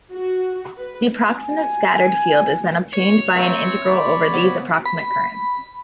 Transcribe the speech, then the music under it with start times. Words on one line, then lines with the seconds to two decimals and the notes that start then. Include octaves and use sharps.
The approximate scattered field is then obtained by an integral over these approximate currents.
0.13 F#4
0.79 B4
1.39 G#5
2.93 C#5
3.36 C4 E5 A#5
3.86 D5 B5
4.33 C#3 B3 C4
4.86 B5